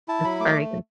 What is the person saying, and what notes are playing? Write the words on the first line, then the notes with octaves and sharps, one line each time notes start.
That's very good.
E4 A5
F#3 B5
A3 D6